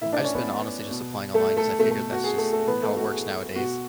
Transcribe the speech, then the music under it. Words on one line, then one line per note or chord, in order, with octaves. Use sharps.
I've just been, honestly, just applying online 'cause I figured that's just how it works nowadays,
A2 E3 E4 E5
D4 D5
C#4 C#5
B3 B4
B2
A3 A4
A3 A4
B2 A3 A4
A3 A4
F#4
G#4
A3 A4
A3 A4
A2 E3 B3 B4
A3 A4
F#4
G#4
B2 F#4